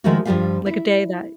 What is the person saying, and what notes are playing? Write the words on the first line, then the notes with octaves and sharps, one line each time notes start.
like a day that,
D#3 F3 G#3 A3 F4 F#4
G2 F3 G3 F4 G4 F5
E4